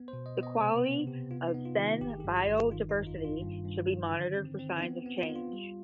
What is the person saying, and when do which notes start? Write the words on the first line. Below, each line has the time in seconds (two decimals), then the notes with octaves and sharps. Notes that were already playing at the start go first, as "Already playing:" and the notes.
The quality of fen biodiversity should be monitored for signs of change.
Already playing: B3
0.08 C5
0.13 B2
0.26 D#5
0.37 B3
0.43 D#5
0.60 C3 C5
0.84 B3
1.07 C3 G4
1.31 B3 F4
1.48 D#4
1.54 B3
1.65 F4
1.78 D#3
1.83 D#4
2.01 G1 G4
2.10 G#4
2.20 G4
2.24 G2
2.36 F4
2.48 G1
2.71 D#3 F4
2.89 D#4
2.95 F2
3.07 F4
3.18 D#3
3.25 F4
3.42 G2
3.65 G2
3.89 D#3
4.12 D3
4.36 C4
4.59 C4
4.78 D#4
4.82 B3 F4
5.06 B3
5.18 F4
5.29 B3
5.36 F4
5.53 G3